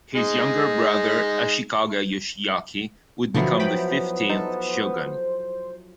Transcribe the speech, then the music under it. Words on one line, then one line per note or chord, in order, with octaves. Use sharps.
His younger brother Ashikaga Yoshiaki would become the fifteenth shogun.
G#3 D#4
B1 D3 F3 F#3 B3 E4 F#4
G5 B5
D#4 A4 C5